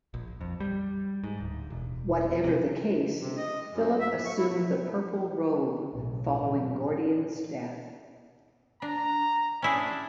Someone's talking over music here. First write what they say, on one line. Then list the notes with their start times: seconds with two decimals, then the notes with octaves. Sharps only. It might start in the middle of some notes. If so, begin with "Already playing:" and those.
Whatever the case, Philip assumed the purple robe following Gordian's death.
0.14 A#1
0.41 F2
0.60 G3
1.24 G#2
1.40 D1
1.70 E1
2.44 C3
3.21 C3
3.37 D#5
3.71 F#2
4.00 E5
4.13 A2
4.25 C#6
4.38 E4
4.51 F#3
5.90 B1 A2 C#3 F#3
6.38 A1 F#2 B2 D#3 E3 F#3
8.82 D4 A#5
9.62 C#4 D4 E4 G#4